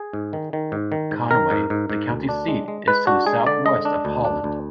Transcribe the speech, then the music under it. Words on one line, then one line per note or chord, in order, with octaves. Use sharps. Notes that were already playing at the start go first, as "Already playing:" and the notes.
Conway, the county seat, is to the southwest of Holland.
Already playing: G#4
G#2
D#3
D#3
G#2
D#3
G#2
D#3 A#4
G#2
G#2
G#2
D2
D4
G#3
G#3
G#3 B4
D4 F#4
G#3 G#4
D3 D5
G#3 D#5
D4
D2
D4
D2